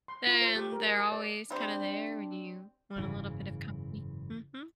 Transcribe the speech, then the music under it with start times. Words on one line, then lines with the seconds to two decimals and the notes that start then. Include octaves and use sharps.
then they're always kinda there when you want a little bit of company, mhm.
0.08 C6
0.27 F4
0.42 C5
0.56 G4
0.72 A#4
0.87 D#5
1.00 A5
1.12 D5
1.51 G3 C4 D4
2.97 F#1 G#2 C#3 E3